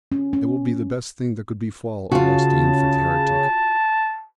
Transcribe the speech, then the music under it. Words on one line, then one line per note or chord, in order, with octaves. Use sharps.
It will be the best thing that could befall a lusty infant heretic.
C#4
C#4
C#3 F4 F#4 A5